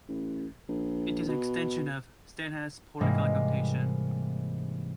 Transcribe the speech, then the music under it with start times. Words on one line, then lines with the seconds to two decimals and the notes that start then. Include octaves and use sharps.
It is an extension of Steinhaus's polygon notation.
0.08 A1
0.69 A#1
1.28 B2
3.01 G#2 C3 E3 G3 G#3 A#3